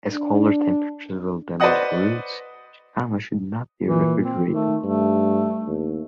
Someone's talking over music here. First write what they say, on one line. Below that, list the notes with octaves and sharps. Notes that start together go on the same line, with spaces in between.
As colder temperatures will damage the roots, jicama should not be refrigerated.
D4
B4 C5 D5 D#5 F#5 D#6
A#2 E3
C4
D#3 A3
G2 A3
D#2